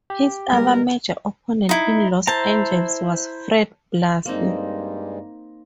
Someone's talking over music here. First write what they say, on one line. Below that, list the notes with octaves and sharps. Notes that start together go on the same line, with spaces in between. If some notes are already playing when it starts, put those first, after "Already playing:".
His other major opponent in Los Angeles was Fred Blassie.
G4
G3 G#3 A#3 A#4 B4
D#4 E4
E4 C5 A5 A#5
G2 G3 G#3 A#3 C4 D#4